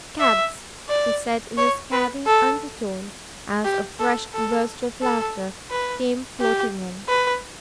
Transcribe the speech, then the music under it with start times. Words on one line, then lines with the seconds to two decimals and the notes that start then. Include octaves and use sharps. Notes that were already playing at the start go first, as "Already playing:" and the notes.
"Cads!" he said in a scathing undertone, as a fresh burst of laughter came floating in.
0.20 E5
0.89 D5
1.58 C#5
1.92 B4
2.26 A4
3.64 G4
3.99 A4
4.34 A4
5.02 A4
5.71 B4
6.40 G4
7.09 B4